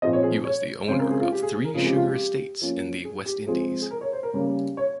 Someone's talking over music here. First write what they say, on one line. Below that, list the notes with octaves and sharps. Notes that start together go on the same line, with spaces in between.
He was the owner of three sugar estates in the West Indies.
A#2 F3 C4 D#5
C#5
G#4
C#5
C#3 G#3 C4 C5
A#4
G#4
F4
G4
G#4
G#4
A#4
C#3 F3 G#3 C4 G#4
G4
F4
G4
F3 A#3 C#4
G#4
G4
F3 G#3 C4 G#4
G#4
A#4
C#5
C5
A#4
C#3 G3 A#3 C#4
C#5